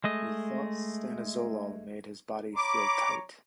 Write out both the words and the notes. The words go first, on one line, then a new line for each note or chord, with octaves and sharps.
He thought stanozolol made his body "feel tight".
G#3 A3 D#5
C#5 A#5 B5 D6